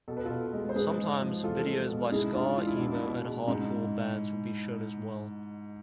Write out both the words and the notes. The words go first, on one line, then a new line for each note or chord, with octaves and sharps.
Sometimes, videos by ska, emo, and hardcore bands would be shown as well.
B2 A4
B4
B2 F4 A4
G#3
C5
G#2 G#4 B4
G#3
F3
E2 F4 A4
G#3
B2
G#2 E4 G#4
G#3 D4 F4
E3 F4
E4
B2 D4
E4
B2
G#3
G#2